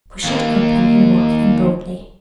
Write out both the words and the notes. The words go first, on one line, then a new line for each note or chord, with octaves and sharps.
Push it open and walk in boldly.
D#2 A#3